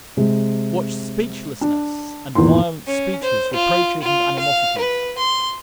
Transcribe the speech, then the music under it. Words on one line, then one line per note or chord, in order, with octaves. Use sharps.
What speechlessness and violent speeches,--reproaches and animosities!
C3 G#3
D4
G#1 E2 A#2 A#3 C6
C#4
C5
F4
F4
F5
B4
C6